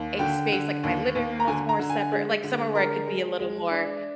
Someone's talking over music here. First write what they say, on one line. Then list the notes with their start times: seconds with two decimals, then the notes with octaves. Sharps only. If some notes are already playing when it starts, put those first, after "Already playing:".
a space, like, my living room was more separate like, somewhere where I could be a little more
Already playing: D#2
0.19 D3 G5
0.52 D3
0.84 D#2
1.15 D#2
1.40 A#5
1.48 D3 G#5
1.69 A#5
1.79 D3
1.90 G#5
2.12 G#3
2.44 D3
2.75 G#3 A#4
3.07 G#3
3.39 G#3
3.71 D4